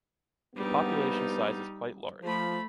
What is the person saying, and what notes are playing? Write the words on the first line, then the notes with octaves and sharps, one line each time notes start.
The population size is quite large.
A#1 G2 G3 B3 D#4
F3 A3 B5